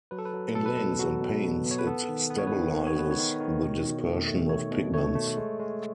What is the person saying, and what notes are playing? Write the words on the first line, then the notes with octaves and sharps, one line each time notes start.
In inks and paints it stabilizes the dispersion of pigments.
F#3 B4
A4
B4
F#3
B2 A4
B4
B2 A4
F#3 F#4
B2
B2
B3
C#5
B4
B3 A4
D#3
B3 B4
C#5
B4
D#3
D#3
C#5
B3 B4
C#5
D#3
D#3
B2
B2
A3
A3
A3 C#5
B2
A3 C#5
A3
G#3
G#3